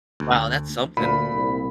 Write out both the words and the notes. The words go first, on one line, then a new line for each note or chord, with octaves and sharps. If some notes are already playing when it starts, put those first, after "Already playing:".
Wow, that's something.
D2
D2 A#2 B5
C2